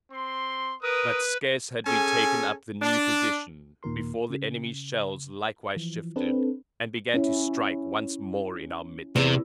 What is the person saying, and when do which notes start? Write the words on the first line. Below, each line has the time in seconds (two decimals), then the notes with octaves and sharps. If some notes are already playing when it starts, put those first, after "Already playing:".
But scarce had we taken up the new position before the enemy's shells likewise shifted, and began to strike once more in our midst.
0.12 C4 C6
0.83 A#4 B4 D#6
1.85 C#4 G#4 A4 G#5
2.82 D4
3.83 D#2 A#2 D#3 A#4 C6
4.30 C#3
5.77 E3 F3
6.16 C4 D4 A4 B4
7.14 C#4 E4
9.16 E2 C3